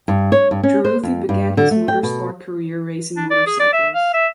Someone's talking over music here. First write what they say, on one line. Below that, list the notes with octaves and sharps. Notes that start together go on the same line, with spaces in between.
Taruffi began his motorsport career racing motorcycles.
G2
C#5
G2
C#4
C5
F2
G2
D3
A3
G5
B2
D4
D5
G#4
D5
E5
F5
E5